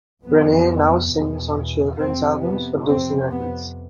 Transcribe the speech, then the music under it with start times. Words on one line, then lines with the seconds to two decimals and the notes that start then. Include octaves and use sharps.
Renee now sings on children's albums for Disney Records.
0.25 F2 C3 B3
1.12 E2 B2
1.99 F2 C3 C4
2.43 B3
2.87 F2 C3 C4
3.31 B3